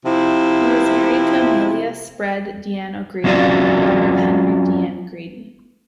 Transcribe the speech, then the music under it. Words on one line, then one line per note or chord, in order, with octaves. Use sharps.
He was married to Amelia Spread Deane O'Grady, daughter of Henry Deane Grady.
C3 F3 E4
F#3 C4 C#4 F4 F#4 D5